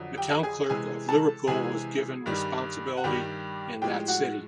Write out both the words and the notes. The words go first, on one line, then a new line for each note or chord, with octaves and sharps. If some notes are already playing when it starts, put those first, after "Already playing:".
The town clerk of Liverpool was given responsibility in that city.
Already playing: F2 D3 F#3
G4 G5
G#4 G#5
C3 E3 G#3 G#4 G#5
A4 A5
C3 E3 G#3 G#4 G#5
G2 D#3 G3
F#5
G2 D#3 G3 G4 G5
A2 F3 G#3 G4 G5
F#4 F#5